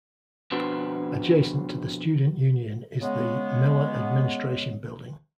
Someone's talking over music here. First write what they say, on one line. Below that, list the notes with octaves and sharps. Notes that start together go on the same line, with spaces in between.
Adjacent to the Student Union is the Miller Administration Building.
F2 B2 D4 F#4 B4 C5
C#3 G#3 B3